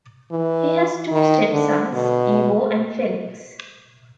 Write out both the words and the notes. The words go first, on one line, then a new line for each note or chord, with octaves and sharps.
He has two stepsons, Ivo and Felix.
E3
D#3
D3
B2